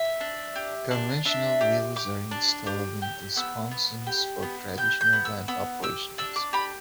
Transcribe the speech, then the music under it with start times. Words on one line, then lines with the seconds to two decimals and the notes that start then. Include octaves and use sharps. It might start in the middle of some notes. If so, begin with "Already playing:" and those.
Conventional wheels are installed in the sponsons for traditional land operations.
Already playing: E5
0.21 D4
0.56 G4
0.91 D4
1.25 D4 E5
1.61 G4
1.96 G4 D6
2.31 D4
2.67 G4
3.02 G4
3.36 B3 E6
3.71 B3
4.07 G4
4.43 B3
4.78 G4 G6
5.01 G6
5.13 B3
5.25 E6
5.48 B3 E6
5.83 G4 E6
6.18 D4 E6
6.36 D6
6.53 G4 B5